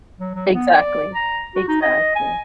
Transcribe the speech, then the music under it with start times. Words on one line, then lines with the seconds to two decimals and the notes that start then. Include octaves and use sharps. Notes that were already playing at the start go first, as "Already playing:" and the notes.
Exactly. Exactly.
0.19 F#3
0.35 F#3
0.52 B3
0.73 D5
1.15 A#5
1.55 F#4
1.68 D#4
1.81 D#5
2.15 G#5